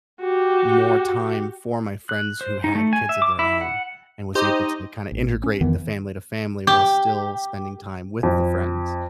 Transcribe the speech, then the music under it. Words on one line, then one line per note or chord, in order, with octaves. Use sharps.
more time for my friends who had kids of their own and was able to kinda integrate the family to family while still spending time with the friends.
F#4 G4
F#6
C5
D#4
A3
G#5
E5
D6
E4
F#5
D#4 G4 C5 D#5
A1
C#4
F2 D#3 E3 B3
G4
F2